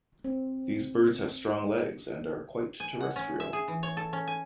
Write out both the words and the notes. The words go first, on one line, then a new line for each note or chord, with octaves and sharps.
These birds have strong legs and are quite terrestrial.
C4
G#5
F#5
C#4
E5
G#4
E3
C#5
A4
C#4
G#5